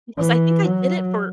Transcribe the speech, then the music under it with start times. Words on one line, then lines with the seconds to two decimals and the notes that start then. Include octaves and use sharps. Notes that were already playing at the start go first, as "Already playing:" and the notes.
Because I think I did it for
0.17 E3
0.64 F#3